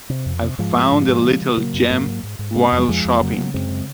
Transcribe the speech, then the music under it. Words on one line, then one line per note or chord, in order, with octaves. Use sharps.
I found a little gem while shopping.
C3
F2
C3
G#2 F3 G#3
G#2
G#2
G#2
C#3
C#3
C#3 F#3 A#3
F#2
G#2 F#3 A#3
G#2
G#2
G#2
C3 G#3 C4
F2
F3 G#3
F2 F3 G#3
F2
C#3 F#3 A#3
C#3
F#2 G#3 C4
C#3